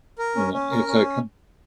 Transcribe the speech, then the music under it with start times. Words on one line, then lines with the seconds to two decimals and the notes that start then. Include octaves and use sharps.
you know, it's like, "Huh."
0.18 A#4
0.36 C#4
0.53 C#4
0.71 A#4
0.88 C#4